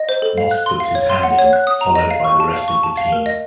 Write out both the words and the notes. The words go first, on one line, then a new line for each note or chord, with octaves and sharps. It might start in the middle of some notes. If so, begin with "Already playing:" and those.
Moss puts his hand in, followed by the rest of the team.
Already playing: D#5
C5
A4
F5
F#6
C6
F5
C#5
C6
F#5
C#5
F#6
D#6
A#5
D#5
F5
C#6
A5
F5
C#6
A5
F5
A#4
D#5